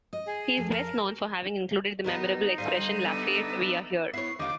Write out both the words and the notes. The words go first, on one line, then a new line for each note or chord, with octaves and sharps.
He is best known for having included the memorable expression Lafayette, we are here!
D#5
G#4
F2
A#4
D#3 G3 B3 D#4
D3 G3 C5 F5 D#7
B3 D4 E5
B3 E4 C#5 C7
D#2 D3 D#4 F4 G4 D6